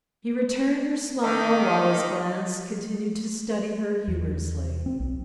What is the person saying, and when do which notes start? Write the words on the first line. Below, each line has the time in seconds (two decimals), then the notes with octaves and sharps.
He returned her smile while his glance continued to study her humorously.
1.23 D#3 D#5 B5 D6
4.08 E2
4.86 C4
5.00 B1